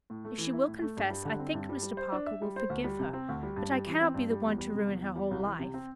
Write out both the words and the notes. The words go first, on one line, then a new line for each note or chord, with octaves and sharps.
"If she will confess, I think Mr. Parker will forgive her, but I cannot be the one to ruin her whole life."
A2
A3
E3
E4
A2
A3
G2
G3
D3
C4
G2
G3
G3
C5
D4
E5
G3
C5
D2
G3
C3
C4
D2
G3
G2
G3
E3
C4
G2
G3
E2
G3
C3
E2
E2
G3
C2
E3
C3
C4